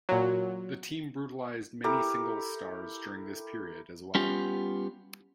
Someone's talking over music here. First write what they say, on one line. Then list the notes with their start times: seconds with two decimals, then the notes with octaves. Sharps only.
The team brutalized many singles stars during this period as well.
0.09 A#2 F#3
1.84 E4 G4 A4 A#4
4.15 G3 B3 C#4 F4 G4